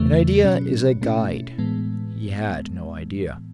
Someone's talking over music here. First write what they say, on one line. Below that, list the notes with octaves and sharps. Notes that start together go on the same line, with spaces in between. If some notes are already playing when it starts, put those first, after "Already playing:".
An idea is a guide; he had no idea.
Already playing: E2 C#3 E3 A3
B2 F#3 C#4
B2 A3 C#4 E4
A2 E3 G#3 B3